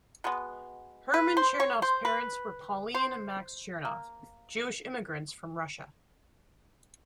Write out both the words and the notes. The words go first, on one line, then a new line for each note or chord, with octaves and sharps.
Herman Chernoff's parents were Pauline and Max Chernoff, Jewish immigrants from Russia.
B2 G#3 B3
B4
C5
C#5
C5
B4
C5
A#3